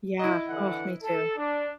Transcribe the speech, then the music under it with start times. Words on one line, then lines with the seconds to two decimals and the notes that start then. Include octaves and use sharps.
Yeah. Oh, me too.
0.19 E4 D#5
0.48 D3 E3 F#5
1.03 A4
1.37 D4